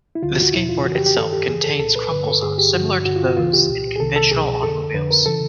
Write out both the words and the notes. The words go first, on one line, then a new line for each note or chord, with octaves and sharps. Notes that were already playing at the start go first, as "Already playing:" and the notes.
The skateboard itself contains crumple zones similar to those in conventional automobiles.
E4
D2 D3 F4
F#4
F#4
E2 B2 E4
F4
F2 C#3 E3 F#4
G4
G4
G2 D#3 A4
G4
F2 C#3 E3 G#4
A4
C2 A#2 A4
B4
G2 D3 B4
A4
G2 D3 G#4
G4
G2 D3 F#4
G2 D3 F#4
F4
F#4
D2 C#3 E3 F4
G4
C2 A#2
G#4
C2 C3 D#3 A4
A4
C2 B2 G#4
F2 D3 A4
F2 D3 B4
A#4
C#3 E3 A4